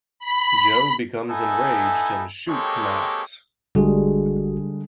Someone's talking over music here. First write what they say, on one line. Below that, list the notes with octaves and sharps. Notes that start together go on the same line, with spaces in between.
Joe becomes enraged and shoots Max.
B5
B3 D#4 E4 A4 G#5
G#3 A#3 C4 G4 A4 C#5
G#1 D3 G3 G#3 F#4 G#4